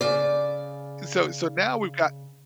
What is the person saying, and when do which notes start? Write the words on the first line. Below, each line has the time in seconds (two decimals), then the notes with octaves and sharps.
so so now we've got
0.01 C#3 D5